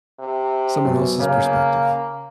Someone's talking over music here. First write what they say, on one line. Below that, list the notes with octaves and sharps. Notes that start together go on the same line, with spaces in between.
someone else's perspective.
C3
F#2 B2
C#3 A#3